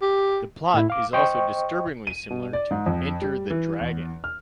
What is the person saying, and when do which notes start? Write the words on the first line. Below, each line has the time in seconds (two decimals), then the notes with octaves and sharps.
The plot is also disturbingly similar to "Enter the Dragon".
0.02 G4
0.74 A2 E4
0.90 F5 D6
1.13 C5 D#5 G5 C#6
2.07 D#7
2.30 B2
2.53 D5
2.71 G#2
2.86 F2
3.22 G3
3.50 E3
3.80 E2
4.24 F6